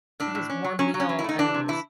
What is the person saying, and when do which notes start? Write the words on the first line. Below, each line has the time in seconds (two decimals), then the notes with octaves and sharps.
his warm meal and
0.20 A2 D4
0.35 A2
0.50 C#4
0.64 F#3
0.79 F#3 C#4
0.94 F#3
1.00 C#4
1.09 F#3
1.19 E4
1.24 A3 D#4
1.39 E3 D4
1.54 C3
1.68 E3 E4